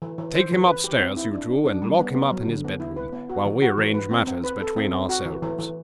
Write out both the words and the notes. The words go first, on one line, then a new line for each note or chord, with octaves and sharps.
Take him upstairs, you two, and lock him up in his bedroom, while we arrange matters between ourselves.'
E3
E3
C5
E3
B4
G4
C4
E4
D4
D4
D4
G3
B3
B3
F#3
D3
B3
E4
B4
B3
F#4
E3
F#4
E3
B4
C4
C4
B4
A4
C4
C4
F#4
E3
E3
E3